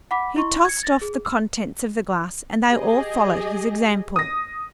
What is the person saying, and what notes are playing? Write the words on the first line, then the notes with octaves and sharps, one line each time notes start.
He tossed off the contents of the glass and they all followed his example.
F#5 B5 D6 B6
E4 D#5 C6 C#6
G#6 C#7
A6 A#6
G#4
E6 F6
G4 G#4 D#5
D#6 A#6